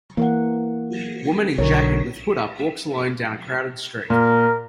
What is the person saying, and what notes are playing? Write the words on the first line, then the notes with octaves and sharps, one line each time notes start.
Woman in Jacket with hood up walks alone down crowded street.
E3 A#3 A#4 F#5
B1 D3 A#4 C#5
A#2 A#4